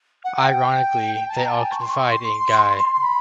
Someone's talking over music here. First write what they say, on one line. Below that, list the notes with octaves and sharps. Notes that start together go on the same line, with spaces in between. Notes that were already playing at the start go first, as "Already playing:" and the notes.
Ironically, they all confide in Guy.
F#5
G5
G5
A5
A#5
A5
G#5
G5
C#6
C6
C#6
C6
C6
B5